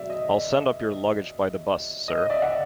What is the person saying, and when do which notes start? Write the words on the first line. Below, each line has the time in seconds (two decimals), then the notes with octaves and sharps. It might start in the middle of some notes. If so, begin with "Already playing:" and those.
I'll send up your luggage by the bus, sir.
Already playing: B2 F#3 D5 E5
0.10 D#5
2.08 D#5
2.26 D#5
2.30 D5 E5
2.42 F#5